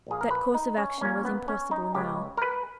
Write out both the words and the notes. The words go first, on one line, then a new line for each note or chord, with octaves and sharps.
That course of action was impossible now.
A#1 A#2 A#3 G#4
A#4
B4
D#4
C#4
A#1 A#2 A#3 C#4
B3
C#4
D#4
C#2 C#3 G#3 G4
A#4
B4